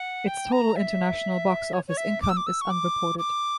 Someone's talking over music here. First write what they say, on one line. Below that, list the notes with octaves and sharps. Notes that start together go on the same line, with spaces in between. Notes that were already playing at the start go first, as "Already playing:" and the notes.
Its total international box office income is unreported.
Already playing: F#5
G5
A#5
E5
C#5
C#5
E5
D6
E6
D6
E6
C#6
D6
D6